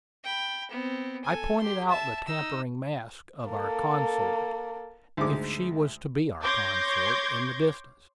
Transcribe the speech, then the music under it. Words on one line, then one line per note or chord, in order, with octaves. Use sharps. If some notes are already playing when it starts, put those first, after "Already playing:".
I pointed out the tapering masts of our consort--if she was to be our consort--in the distance.
G5 B5
B3 C4
A4 G#5
G4 C6
E5 A5
D#4 E6
A#3 A4
D2 G#2 G#3 D6
C#5 C6 D6 G6 G#6 A#6